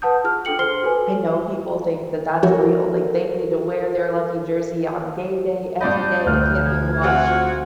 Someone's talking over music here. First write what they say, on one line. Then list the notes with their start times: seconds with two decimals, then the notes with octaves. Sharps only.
I know people think that that's real. Like, they need to wear their lucky jersey on game day every day. It can't be washed.
0.02 B4 F#5 A5 D#6 G6
0.24 F4 G#4 F6
0.45 D4 A4 G5 C#7 F#7
0.59 C5 C6 F6 C7 G7
0.83 F#4 A4 B4 G#5
2.43 F3 F#4 A4 A#4 C#5
5.81 G2 D5 D#5 B5 G6
6.26 D2 F6 F#6
6.65 F3 G#6
7.03 C4 F4 F#4 F#5